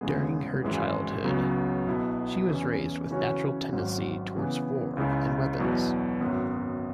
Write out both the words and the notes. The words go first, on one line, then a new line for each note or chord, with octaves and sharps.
During her childhood, she was raised with a natural tendency towards war and weapons.
E2 C#3 G#3 B3 G#4
G#1 F#2 E3 G#3 E4
C#2 C#3 F#3 B3
B1 B2 B3 E4
E2 E3 C#4
C#3 E3 C#4 F#4 C#5
G#1 G#2 F#3
C#3 E3 B3
C#2 C#3 G#3 E4
E2 B2 F#3 E4 B4
G#1 F#2 F#3 B3